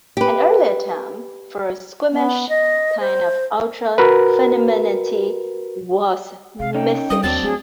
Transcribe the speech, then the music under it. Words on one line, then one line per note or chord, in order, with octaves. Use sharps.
An earlier term for a squeamish kind of ultra femininity was "missish".
G4 B4
B3
D#5
C5
F#4 A#4 B4
C3 F5
C#4 D#4 G5
G3 D#6
D#2 F#3 C4 D4 A6
A3 G#4